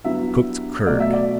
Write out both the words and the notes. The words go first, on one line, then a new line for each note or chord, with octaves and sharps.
Cooked curd.
G2 F#3 B3 E4 E5
B2 F#3 A3 D5
E5
D5